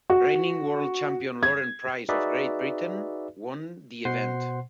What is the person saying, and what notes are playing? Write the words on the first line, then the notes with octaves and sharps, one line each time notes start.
Reigning World Champion Lauren Price of Great Britain won the event.
F#4
G#6
D#4 F#4 G#4 B4 D5 E5
B2 C5 F#5 C6 C7